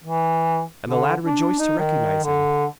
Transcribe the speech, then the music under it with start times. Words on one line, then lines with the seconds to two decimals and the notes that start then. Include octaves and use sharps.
And the lad rejoiced to recognise him.
0.04 E3
0.87 D3
1.26 D4
1.59 D#4
1.79 D#3
2.24 D3